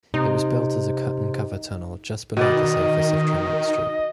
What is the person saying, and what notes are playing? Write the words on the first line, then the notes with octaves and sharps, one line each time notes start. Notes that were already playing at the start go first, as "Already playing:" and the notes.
It was built as a cut-and-cover tunnel just below the surface of Tremont Street.
C3 D#4
B2 D#3 B3 D5 D#5